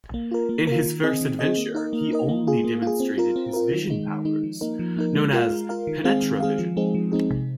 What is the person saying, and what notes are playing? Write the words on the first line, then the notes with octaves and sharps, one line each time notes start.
In his first adventure he only demonstrated his vision powers, known as "penetra-vision".
A#3
F4 A#4
A#3
F4 A#4
D#3
C4 G#4 D#5
D#3
C4 G#4 D#5
A#3
D#4 A#4 D#5
A#3
D#4 A#4 D#5
A#3
F4 G#4
A#3
F4 G#4
C4
F4 A#4
C4
F4 A#4
D#3
G#3 D#4
D#3
G#3 D#4
F3
A#3 D#4 A#4
F3
A#3 D#4 A#4
G#3
F4 A#4 F5
G#3
F4 A#4 F5
D#3
G#3 C4 G#4 F5
D#3
G#3 C4 G#4 F5
F3
G#3 C4 D#4 G#4
F3
G#3 C4 D#4 G#4
C3